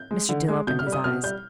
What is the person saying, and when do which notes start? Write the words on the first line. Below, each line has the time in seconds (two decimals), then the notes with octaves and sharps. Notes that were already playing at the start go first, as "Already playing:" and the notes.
Mr. Dill opened his eyes.
Already playing: G6
0.11 G#3
0.29 D3
0.49 G#3
0.67 B2 G6
0.79 F6
0.86 G3
0.93 D#6
1.04 B2 F6
1.23 G3 G6